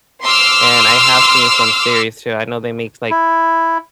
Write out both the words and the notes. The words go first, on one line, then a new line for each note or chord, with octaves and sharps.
And I have seen some series too. I know they make like
C6 D6 E6 F6
E4